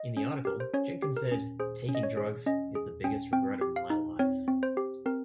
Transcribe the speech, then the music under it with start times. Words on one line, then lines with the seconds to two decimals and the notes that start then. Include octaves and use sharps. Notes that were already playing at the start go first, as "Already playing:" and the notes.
In the article Jenkins said "taking drugs is the biggest regret of my life".
Already playing: D#5
0.17 C#4
0.45 G4 A#4
0.60 C5
0.74 C#4 C#5
1.02 G4
1.17 A#4
1.31 C#4
1.60 G#4 C5
1.89 C#4
1.95 D#5
2.03 C#5
2.17 G#4
2.46 C#4 D#5
2.75 G#4
3.04 C#4 G5
3.33 C4 G5
3.61 G4
3.76 F5
3.90 D#4
4.19 C4 C#5
4.48 C4
4.63 C5
4.77 G4
5.06 C4 A#4